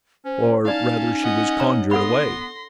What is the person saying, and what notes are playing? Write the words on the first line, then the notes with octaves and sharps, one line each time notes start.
Or rather she was conjured away.
C#4 C5
C#4 D#4 E4 D5 F5 A5
D#5 F#5
D4 C#5 A#5
B3 A4 F#5 B5 C6 A#6